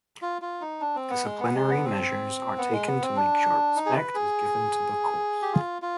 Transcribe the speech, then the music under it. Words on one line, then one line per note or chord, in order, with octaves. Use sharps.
Disciplinary measure are taken to make sure respect is given to the course.
F4
F4
D#4
D4
C4
B3
G#3
B3
G#3
B3
C4
B3
G#3
B3
C4
D4
D#4
G#4
B4
G#4
G4
F4
F4